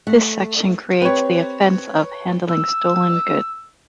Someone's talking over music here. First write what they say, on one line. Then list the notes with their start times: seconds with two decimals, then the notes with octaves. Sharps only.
This section creates the offence of handling stolen goods.
0.07 A3 F#5
1.02 C4 G4 B4 C#5
2.50 E6